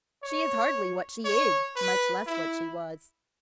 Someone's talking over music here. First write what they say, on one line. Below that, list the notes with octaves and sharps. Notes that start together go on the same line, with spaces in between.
She is hardly what she is, much less what she was.
C#5
C#5
B4
E4